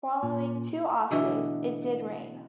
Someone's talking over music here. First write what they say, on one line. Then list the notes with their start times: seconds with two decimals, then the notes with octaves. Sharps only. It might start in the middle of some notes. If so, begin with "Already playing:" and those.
Following two off days, it did rain.
0.23 A#2
1.11 B2 D3 E3 A3